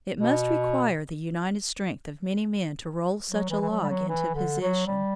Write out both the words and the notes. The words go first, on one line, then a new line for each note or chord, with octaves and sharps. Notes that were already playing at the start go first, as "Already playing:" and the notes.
It must require the united strength of many men to roll such a log into position.
B2
F#3
E3
E3
F#3
G3
F#3
E3
D3
F#3
G3